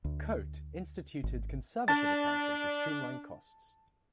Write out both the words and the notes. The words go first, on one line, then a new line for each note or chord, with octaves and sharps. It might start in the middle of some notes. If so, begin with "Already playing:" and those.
Cote instituted conservative accounting to streamline costs.
D2
G#1
D4 A5 A6